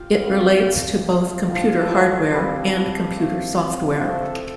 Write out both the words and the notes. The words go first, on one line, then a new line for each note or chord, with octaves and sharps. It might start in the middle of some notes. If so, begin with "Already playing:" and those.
It relates to both computer hardware and computer software.
Already playing: F4 G4 F5 G5
G3 C4 F4
A3 F4 G5
A3 F4 F5
F5
F3 D4 F4 G5
G5
F5
A4
F3 D4 F4 C5
G3 C4 F4
G3 C4 F4 G4
A3 C4 F4
A3 C4 F4 G4
G4
F3 A3 C4 F4 A4
C5
A4